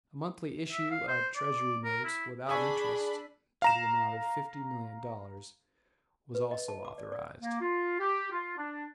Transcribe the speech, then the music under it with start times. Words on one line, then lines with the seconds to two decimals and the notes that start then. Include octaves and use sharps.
A monthly issue of Treasury notes, without interest, to the amount of fifty million dollars, was also authorized.
0.72 E5
0.91 F5
1.08 C5
1.36 D5
1.84 A#4
2.05 E4
2.49 D4 G#4 G#5 B5 C#6 E6
3.62 F5 A#5 E7
6.35 B4
6.51 D#5
6.68 A5
6.85 D6
6.98 D5
7.12 D5
7.41 A#3
7.60 F4
7.99 G4
8.31 F4
8.57 D4